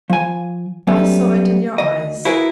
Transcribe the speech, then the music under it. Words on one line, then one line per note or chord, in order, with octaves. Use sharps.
I saw it in your eyes.
F3 G#5
F#3 G3 A3 B3 C#4
D2 D#5
E4 F#4 G#4 A#4 B4